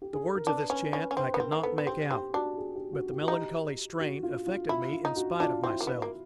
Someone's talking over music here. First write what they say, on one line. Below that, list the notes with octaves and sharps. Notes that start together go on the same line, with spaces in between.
The words of this chant I could not make out, but the melancholy strain affected me in spite of myself.
G4
G#4
A4
A#4
D4 B4
C#4 B4
C#4 B4
C#4
C4 C5
B3
C4 A#4
A#3
B3 A4
B3
C4 G4
C4 G4
D4 F#4
G#4
G4
F#4
G4
F#4
D#4 G4
F#4
F4
F4
E4 F4
F4
D#4
F#4
D4 F4
C4 E4
A#3
B3
A#3